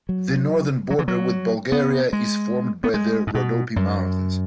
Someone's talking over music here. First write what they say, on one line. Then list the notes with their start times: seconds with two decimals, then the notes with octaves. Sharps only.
The northern border with Bulgaria is formed by the Rhodope Mountains.
0.09 F#3
0.90 F#3
0.99 E3
1.08 F#3
1.72 B3
2.13 G#3
2.84 B3
2.94 G#3
3.27 G#2
3.35 B2
3.76 F#2